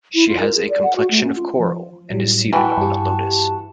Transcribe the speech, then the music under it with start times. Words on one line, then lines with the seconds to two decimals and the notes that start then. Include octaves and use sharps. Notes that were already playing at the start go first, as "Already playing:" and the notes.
She has a complexion of coral and is seated on a lotus.
0.15 E4
0.27 F4
0.40 A#4
0.55 G#4
0.70 D5
0.83 F#5
0.96 F#4
1.11 A3
1.24 C#4
1.36 F4
1.58 F3
2.10 A2 F#3 G3
2.53 E3 F#4 G5 A5
2.78 G2 G4